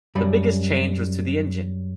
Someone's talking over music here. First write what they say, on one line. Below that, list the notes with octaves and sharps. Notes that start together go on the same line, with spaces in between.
The biggest change was to the engine.
F#2 G3 B5